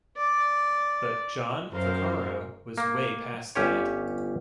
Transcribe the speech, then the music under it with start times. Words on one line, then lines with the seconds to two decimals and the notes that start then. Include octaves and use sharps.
But John Vaccaro was way past that.
0.17 D5
1.72 F#2 A#4 C5 F5
2.78 A#3
3.55 G1 C#4 G4 C#5